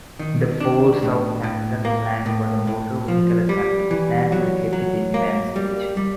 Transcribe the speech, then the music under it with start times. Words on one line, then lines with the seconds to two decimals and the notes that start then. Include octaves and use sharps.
The Ford Southampton plant was a motor vehicle assembly plant, located in Mansbridge.
0.19 D#3
0.61 D4
1.02 A2
1.44 A2
1.85 A#3
2.26 A2
2.67 A2
3.08 F3
3.49 G3
3.91 E3
4.32 F#3
4.73 F#3
5.14 A#3
5.56 G3
5.97 G3